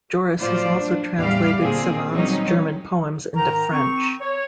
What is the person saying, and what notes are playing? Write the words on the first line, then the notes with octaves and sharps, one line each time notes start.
Joris has also translated Celan's German poems into French.
A2 F3 F#3 F4 C5 D5
D4
E2 A2 G3 G4 D5 F5
A#2 D3 C4 G#4
D#3 F#3 G3 C4 C#4 D#4
G#2 D#3 A#4 G5 A#5
C4 C#6
C#5